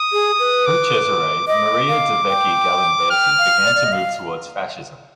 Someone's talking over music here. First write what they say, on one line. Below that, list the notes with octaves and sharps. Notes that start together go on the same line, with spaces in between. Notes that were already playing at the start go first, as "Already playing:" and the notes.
Through Cesare Maria De Vecchi Galimberti began to move towards Fascism.
Already playing: D#6
G#4
B4
D6
D#5 D6
F5
G5
G5 F6
F5
D5
D5
D#5
F5